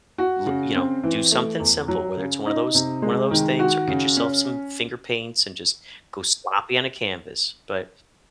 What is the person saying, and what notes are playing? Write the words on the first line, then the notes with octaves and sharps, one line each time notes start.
lo you know, do something simple, whether it's one of those one of those things or get yourself some finger paints and just go sloppy on a canvas. But
F#4
C#3
C4
E3
A3
E2
F#3
C#3
D#4
C3
G#3
D#3
F#4
C#3
C#4